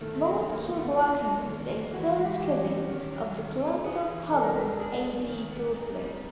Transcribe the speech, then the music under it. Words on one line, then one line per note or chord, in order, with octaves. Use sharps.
Lord Kilbracken was a first cousin of the classical scholar A. D. Godley.
D#3 A3
F#3
D#3 A#3
B3
A3
B3
D4 F4
F#3
D#3
A#3
E3 F#4
F#4
G#3
G4
E3 G4
C#4
D#3
F#3
D#3
A3
B3 G#4
E3
C3 A4
A#4
G#3 B4
A#4
A4
D4 G#4
F#3
D#3
B3
D#4
G3